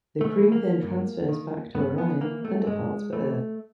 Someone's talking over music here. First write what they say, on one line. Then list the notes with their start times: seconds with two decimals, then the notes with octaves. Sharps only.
The crew then transfers back to Orion and departs for Earth.
0.21 A3
0.37 E3
0.52 A#3
0.83 G2
1.29 D#3
1.75 G2 B3
1.98 B3
2.20 E3 A#3
2.45 A3
2.66 G2 G#3
3.13 E3 A3